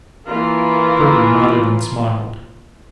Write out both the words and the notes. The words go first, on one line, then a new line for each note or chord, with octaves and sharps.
Perker nodded and smiled.
E3 A#3 F4 A#4